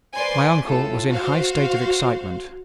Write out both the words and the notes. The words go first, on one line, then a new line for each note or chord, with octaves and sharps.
My uncle was in high state of excitement.
B4 C5 D5 G#5 C6
A2 F4 A4
F#4 C5 F5